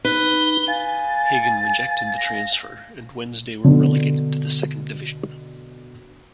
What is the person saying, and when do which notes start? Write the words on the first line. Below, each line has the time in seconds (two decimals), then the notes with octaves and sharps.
Hagan rejected the transfer and Wednesday were relegated to the Second Division.
0.05 D#4 B4 G7
0.68 F5 G#5 A6
2.17 A#6
3.64 B2 D3